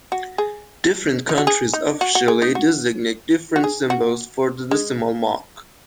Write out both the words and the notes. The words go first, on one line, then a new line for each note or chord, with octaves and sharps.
Different countries officially designate different symbols for the decimal mark.
F#4
G#4
D#4
F#4
G#4
D#4
F#4
F#4
G#4
D#4
F#4
F#4
G#4
F#4
G#3